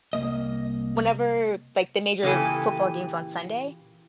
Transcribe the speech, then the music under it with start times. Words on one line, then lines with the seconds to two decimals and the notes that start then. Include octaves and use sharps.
whenever, like, the major football games on Sunday,
0.13 C2 B2 A#3 D#5
2.22 A#2 C#3 E3 G4 A4 G#5